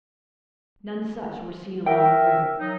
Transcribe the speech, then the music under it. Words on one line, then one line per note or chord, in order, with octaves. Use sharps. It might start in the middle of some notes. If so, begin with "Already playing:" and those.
None such were seen along the route.
A#4 E5 G5
F#3 D#4